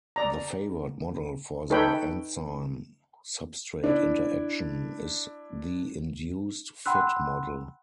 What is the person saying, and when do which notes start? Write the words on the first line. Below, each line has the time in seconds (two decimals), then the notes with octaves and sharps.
The favoured model for the enzyme-substrate interaction is the induced fit model.
0.16 D5 A#5
1.70 D#4 A4 B4 C#5 G5 B5
3.84 D4 E4
6.86 F#5 G5 B5 C6 E6 F#6